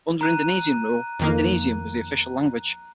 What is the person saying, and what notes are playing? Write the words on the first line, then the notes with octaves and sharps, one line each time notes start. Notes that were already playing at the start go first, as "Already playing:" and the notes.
Under Indonesian rule, Indonesian was the official language.
A#5 F#6 D#7
F2 D#3 A#3